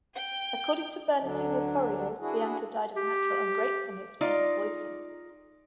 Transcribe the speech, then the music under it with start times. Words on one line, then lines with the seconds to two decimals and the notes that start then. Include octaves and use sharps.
According to Bernardino Corio, Bianca "died of natural ungratefulness more than poison".
0.14 G5
1.21 D2 D3 F#3 D4
2.21 D4 E4 F#4 G#4
2.96 G4
4.21 D#4 F4 D5